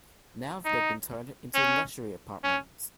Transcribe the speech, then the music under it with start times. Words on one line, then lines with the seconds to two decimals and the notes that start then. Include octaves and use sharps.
Now they've been turned into luxury apartments.
0.65 D#4
1.54 C#4
2.44 C#4